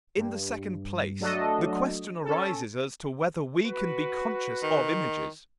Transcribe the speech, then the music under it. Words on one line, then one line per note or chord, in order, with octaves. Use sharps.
In the second place, the question arises as to whether we can be conscious of images.
G2
F#3 A3 D4 F#4 A4 D#5
C#4 A4
F#4 B4
D#3